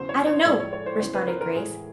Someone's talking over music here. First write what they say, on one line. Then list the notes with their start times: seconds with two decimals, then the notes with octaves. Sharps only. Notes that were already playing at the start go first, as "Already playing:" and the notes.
"I don't know," responded Grace.
Already playing: E2 C#3 F#3 C5
0.09 C#5
0.27 C#5
0.45 A2 F3 G#3 D5
0.60 C#5
0.73 C#5
0.86 C5
1.00 E2 C#3 F#3 C5
1.14 B4
1.27 A#4
1.41 A#4
1.55 A2 E3 G#3 G#4